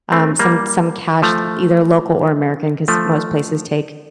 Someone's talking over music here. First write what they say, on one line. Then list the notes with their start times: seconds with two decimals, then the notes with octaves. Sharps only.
um, some some cash, l either local or American, 'cause most places take
0.12 A3 C4
0.39 G3 A#3
1.22 F3 A3
2.88 F3 A3